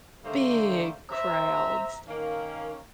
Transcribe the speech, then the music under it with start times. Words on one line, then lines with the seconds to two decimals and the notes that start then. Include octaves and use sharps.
big crowds.
0.23 D3 G3 A3 A#3 D#4 C5
1.11 C5 E5 A#5
2.08 D#3 A#3 C#4